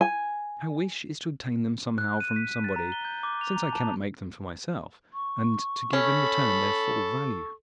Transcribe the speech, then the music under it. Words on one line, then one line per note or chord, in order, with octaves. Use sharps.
"My wish is to obtain them somehow from somebody, since I cannot make them for myself, and to give in return their full value."
G#5
F#6
D#7
B6
A6
A#5
G7
G6
D6
F7
A#5
A5
C#6
C#4 A4 B5